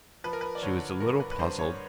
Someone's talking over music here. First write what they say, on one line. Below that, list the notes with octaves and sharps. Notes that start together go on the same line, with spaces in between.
She was a little puzzled.
F3 B4
A#4
B4
D5
D3 C#5
G2 A#4
B4
B4
G2 C5
C#5